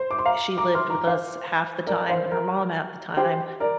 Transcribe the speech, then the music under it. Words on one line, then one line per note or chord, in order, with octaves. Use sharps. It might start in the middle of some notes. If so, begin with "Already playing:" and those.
sh she lived with us half the time and her mom half the time,
Already playing: C5
D6
C6
F5 A#5
A#5 D6
C6 F6
A#5 D6
C5 F5
A#4 D5
C5 F5
C5
A#4
G4 C5
A#4 D5